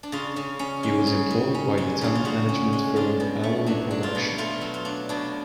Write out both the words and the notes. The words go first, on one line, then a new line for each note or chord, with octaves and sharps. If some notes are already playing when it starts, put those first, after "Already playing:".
He was employed by the talent management firm Aoni Production.
D4
C#3 F4
C#3
C#4
G#3
C#3
C#3
C#4
G#3
C#3 D4
F4
C#3 F#4
C#4
G#3
D4 F4
B2
A3
F#3 D4
D4
F4
B2
A3 F4
F#3
F4
D4
B2 D4